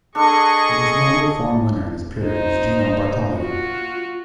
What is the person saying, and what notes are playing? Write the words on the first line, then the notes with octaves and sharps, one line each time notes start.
The most notable foreign winner in this period was Gino Bartali.
D4 G#4 A4 D#5 C#6
D#4 C5
F4 F#4